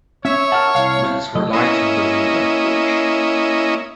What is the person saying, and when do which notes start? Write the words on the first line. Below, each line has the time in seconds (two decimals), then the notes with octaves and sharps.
Winds were light in Bermuda.
0.25 C#4 C#5 E5
0.52 A#4 F#5 A5 F6
0.75 C2 E4 F5
1.35 C2 F#3 D#5
1.53 A#3 C#4 E4 D#5